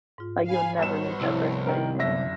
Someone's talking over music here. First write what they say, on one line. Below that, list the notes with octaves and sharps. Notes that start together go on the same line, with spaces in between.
Like, you'll never meet that person again.
G#2 F4
F5 G#5 B5
B1 G3 B3 C5 C#5 E7
C2 F3 E4
D#3 A#4
G1 F#2 D3 E5 A#6